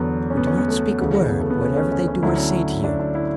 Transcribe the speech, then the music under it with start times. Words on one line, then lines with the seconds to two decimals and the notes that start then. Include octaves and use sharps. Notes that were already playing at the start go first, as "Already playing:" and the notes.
But do not speak a word, whatever they do or say to you.
Already playing: E2 D3 F#3 B3
0.30 C#4
0.37 B3
0.47 C#4
0.58 B3
0.68 A3
0.99 D2 C#3 E3
1.30 B3
1.40 A3
1.50 B3
1.61 C#4
1.77 C#4
1.92 C#4
2.08 C#4
2.23 D2 D3 F#3 E4
2.38 C#4
2.84 D4
3.00 D4
3.15 E4